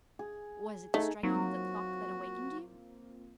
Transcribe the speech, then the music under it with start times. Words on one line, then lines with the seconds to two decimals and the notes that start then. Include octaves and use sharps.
"Was it the striking of the clock that awakened you?"
0.19 G#4
0.94 A3 D#4 G#4 A4
1.23 F#3 A#3 C4 D#4 F4 F#4